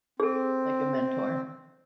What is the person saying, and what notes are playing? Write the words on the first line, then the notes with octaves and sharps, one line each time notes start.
Like a mentor.
C4 G#4 A4